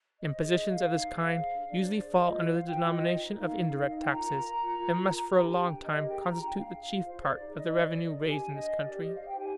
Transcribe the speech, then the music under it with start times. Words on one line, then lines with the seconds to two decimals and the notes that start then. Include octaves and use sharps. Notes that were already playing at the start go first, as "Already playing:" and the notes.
Impositions of this kind usually fall under the denomination of indirect taxes, and must for a long time constitute the chief part of the revenue raised in this country.
0.21 C5 D#5
0.38 G#4
0.55 D#4
0.70 D#4 F5
0.86 C5
1.03 G#4
1.19 C5
1.36 G#4
1.52 D4
1.68 D4 D5
1.85 C5
2.01 G#4
2.17 F4 D#5
2.34 C5
2.42 F5
2.50 C5
2.67 F4 G5
2.83 F4
2.90 D#5
2.99 C5
3.16 D#4
3.31 A#4
3.40 F5
3.48 A#4
3.64 D#4 F5
3.76 D#4 F5
3.88 D#5
3.97 A#4 G5
4.12 F4 A#5
4.30 A#4
4.46 A#4
4.62 F4
4.78 F4
4.95 A#4
5.10 A#4 A#5
5.26 G4 A#5
5.43 D4 G#5
5.60 D4 G5
5.76 A#4
5.84 D#5
5.93 G4
6.08 G#4 G5
6.21 A#5
6.25 F4
6.33 A#5
6.41 D4 G5
6.57 D4 F5
6.74 G#4
6.82 F5
6.91 F4
7.06 C5 F5
7.23 G#4
7.30 D5
7.39 D#4
7.55 D#4 D#5
7.71 C5
7.79 D5
7.88 G#4
8.04 A#4 D#5
8.20 G4
8.29 G#5
8.36 D4
8.53 D4 D#5
8.69 A#4
8.77 D5
8.85 G4
9.01 C5 D#5
9.14 G4 F5
9.27 G5
9.34 D#4
9.39 G#5